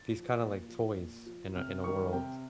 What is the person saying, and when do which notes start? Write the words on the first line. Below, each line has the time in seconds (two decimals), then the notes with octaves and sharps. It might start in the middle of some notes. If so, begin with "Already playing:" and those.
these kinda, like, toys in a in a world,
Already playing: A6
0.11 F3
0.40 A#2
0.69 F3
0.97 A#2
1.26 F3
1.55 C3 F6
1.84 D#3 G3 C#6
2.13 C3 G5